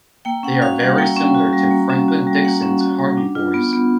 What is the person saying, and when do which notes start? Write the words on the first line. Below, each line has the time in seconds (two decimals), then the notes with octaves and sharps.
They are very similar to Franklin Dixon's Hardy Boys.
0.25 A#3 G5
0.43 C#4 F#5
0.62 F#4 F5
0.80 G3 F#5
0.98 A#3 G5
1.16 C#4
1.35 F#4
1.53 G3
1.71 A#3
1.90 C#4
2.08 F#4
2.27 G3
2.45 A#3 F#5
2.63 C#4
2.81 F#4
2.99 G3
3.17 D4
3.35 F4
3.54 B3
3.73 B3